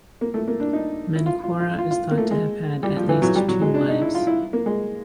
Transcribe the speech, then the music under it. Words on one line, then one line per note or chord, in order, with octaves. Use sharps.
Menkaure is thought to have had at least two wives.
A#3
A3
A#3
D4
D#4
E4
F4
F4
F4
F4
F4
A#3
A3
G#3
G3
F3
E3
F#3
G3
F#3
G#3
D4
D#4
E4
F4
E4
A#3
G#3